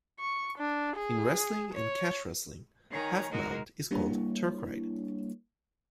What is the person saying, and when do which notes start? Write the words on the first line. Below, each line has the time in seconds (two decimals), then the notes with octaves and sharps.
In wrestling and catch wrestling half mount is called Turk ride.
0.20 C#6
0.58 D4
0.96 G#4
1.74 C#5
2.90 D#3 C#5 G#5 A#5
3.30 G#3 D#4 F#4 A#4
3.91 G3 A#3 D4 E4 C#5